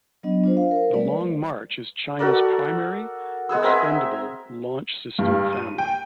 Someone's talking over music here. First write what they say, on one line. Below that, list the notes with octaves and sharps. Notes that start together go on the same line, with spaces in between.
The Long March is China's primary expendable launch system family.
F#3 B3 D4 D#5
D4 F4 C5
F5
A#4 C5
G3 A3 B4 D5
F#4 A4 A#4 D5
G#3 B3 G#4 E6
C4 A#4 E5 G#5
G2
D#7
G5